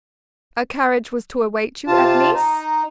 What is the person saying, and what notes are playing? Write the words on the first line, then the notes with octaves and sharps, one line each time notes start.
"A carriage was to await you at Nice?"
C3 F4 A5
D#4